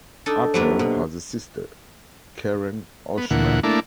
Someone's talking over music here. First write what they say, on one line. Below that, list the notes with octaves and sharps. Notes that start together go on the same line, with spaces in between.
Appel has a sister, Karen Oshman.
D4 D#4 A4
F#3 A#3 D4 G4 B4 C5
B2
B3
D2 A#2 E3 F#5
A3 A#3 D4 E4